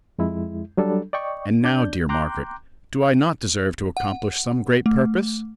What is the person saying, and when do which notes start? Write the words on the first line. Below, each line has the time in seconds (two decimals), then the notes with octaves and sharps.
And now, dear Margaret, do I not deserve to accomplish some great purpose?
0.19 F2 G#3 E4
0.77 F#3 G3 D4 A4
1.13 D5 D#5 G5 C#6
1.64 D4 D5 G6
2.09 G5 A#5 C6 D6 F#6 G6
3.97 F#5
4.86 A3